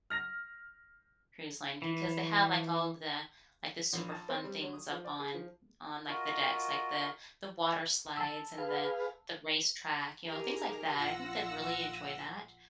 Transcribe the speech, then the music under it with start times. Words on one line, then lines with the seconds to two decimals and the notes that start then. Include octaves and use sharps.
cruise line because they have, like, all of the like, the super fun things up on on, like, the decks, like the the water slides and the the racetrack, you know, things like that. I think they'd really enjoy that,
0.10 F6 A#6 F7
1.82 E3
3.93 A#1
4.11 A5
4.29 C4
4.44 G3
4.62 F#3
4.73 D#6
4.91 F3
5.04 D5
5.19 G#4
5.34 F3
6.07 F4 F#4 A#4 D#5
8.17 A5 E6
8.58 G#4 B4 F5
10.25 D#4 G4 G#4 A#4 A#5
10.98 A#1 F4 F#5 E6 A#6